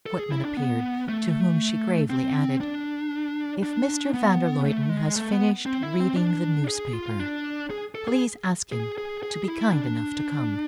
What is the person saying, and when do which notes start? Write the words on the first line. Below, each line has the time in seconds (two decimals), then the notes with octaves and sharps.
A footman appeared, to whom she gravely added: "If Mr. van der Luyden has finished reading the newspaper, please ask him to be kind enough to come."
0.06 A4
0.19 G#4
0.31 E4
0.45 D4
0.57 B3
1.09 A3
2.10 C4
2.61 D4
3.63 D4
4.14 B3
4.65 A3
4.89 G#3
5.16 A3
5.32 B3
5.66 C4
5.83 E4
6.00 C4
6.17 D4
6.68 G#4
6.93 F4
7.19 D4
7.70 G#4
7.95 A4
8.08 G#4
8.72 G#4
8.98 G#4
9.23 G#4
9.48 E4
9.73 D4